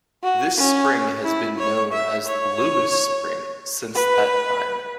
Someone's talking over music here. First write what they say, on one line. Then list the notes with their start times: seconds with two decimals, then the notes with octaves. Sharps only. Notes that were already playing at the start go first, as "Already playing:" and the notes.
This spring has been known as the Lewis Spring since that time.
0.23 F#4
0.58 C#4
1.24 E4
1.59 C#5
1.92 E5
2.26 C#5
3.95 B4